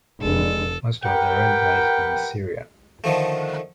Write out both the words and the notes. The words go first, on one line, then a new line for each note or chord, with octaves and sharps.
Most of the range lies in Syria.
F1 G#3 D4 A4
G4 A#4 B4 F#5 G5
D3 D#3 F3 A3